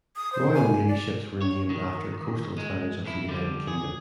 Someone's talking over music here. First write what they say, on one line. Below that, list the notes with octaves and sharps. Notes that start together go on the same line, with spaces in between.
Royal Navy ships were named after coastal towns of the United Kingdom.
D#6
C5
G#5
D5
C#5
D#3
G#3
F2 E4
D3 G3
G#4